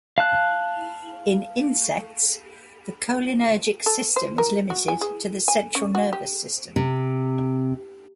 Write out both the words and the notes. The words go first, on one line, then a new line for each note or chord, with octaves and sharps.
In insects, the cholinergic system is limited to the central nervous system.
F5 A5 F#6
A4
C5
A#4
F#4
G#5
G#4
G#5
C#4
F#4
G4
C3